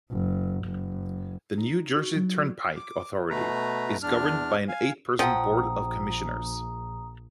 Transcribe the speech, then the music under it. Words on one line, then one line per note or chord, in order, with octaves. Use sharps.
The New Jersey Turnpike Authority is governed by an eight-person Board of Commissioners.
F#1
F#1
D#4
F#4
F#3
F#4
D6
B2 A3 B4 A#5
E2 D4 F6
F5 G#5
A#1 F3 E5 F#5 G5 A#5 D#6